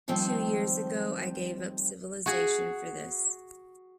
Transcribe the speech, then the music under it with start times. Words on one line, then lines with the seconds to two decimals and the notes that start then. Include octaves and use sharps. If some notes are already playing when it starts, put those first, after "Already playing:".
Two years ago I gave up civilization for this.
0.08 D#3 F3 G3 A3 C4
2.26 F#4 G#4